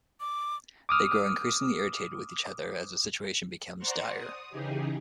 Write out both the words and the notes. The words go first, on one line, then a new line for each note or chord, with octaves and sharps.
They grow increasingly irritated with each other as the situation becomes dire.
D6
D6 D#6 F6
C5 D5 F#5 A#5 C6 C#6
D#6
C#3 E3 D#4 G4 G#4